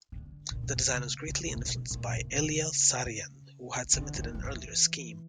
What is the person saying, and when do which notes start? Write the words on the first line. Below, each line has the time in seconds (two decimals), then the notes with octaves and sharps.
The design was greatly influenced by Eliel Saarinen, who had submitted an earlier scheme.
0.12 D3
0.51 A#2
0.64 B2
0.76 C3
0.89 C#3
1.27 C#3
1.46 B2
1.56 C3
1.66 B2
1.91 A#2
2.16 C3
2.32 C3
2.42 C#3
3.94 D3
4.19 D#3
4.35 F3
4.45 E3